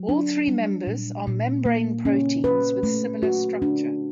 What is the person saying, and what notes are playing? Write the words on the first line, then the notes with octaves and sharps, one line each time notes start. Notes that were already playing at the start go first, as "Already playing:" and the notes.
All three members are membrane proteins with similar structure.
Already playing: F#3
D4
G3
A#2
A#2
A#3
C#4
B4
A3
F#4
D4